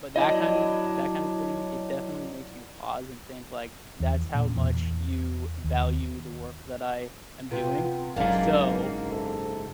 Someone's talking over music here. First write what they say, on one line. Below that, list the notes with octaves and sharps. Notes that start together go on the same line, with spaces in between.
but that kind of that kind of thing, it definitely makes you pause and think, like, "That's how much you value the work that I am doing. So,
F#3 D4 E4 D#5
E2
A#2
E2
D#2
C3 B3 F4
F#1 G#2 F#3 A#3 D4 F5
C3 A4